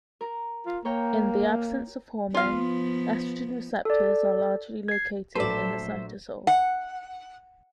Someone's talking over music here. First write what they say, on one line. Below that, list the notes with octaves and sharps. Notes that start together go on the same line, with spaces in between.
In the absence of hormone, estrogen receptors are largely located in the cytosol.
A#4
F4
A#3 A#4 C#5 G5
F3 B3 F4 F5
A4 D5
G#6 C7
A#1 F#3 A3 A4 B4 C5 D5 E5
F#5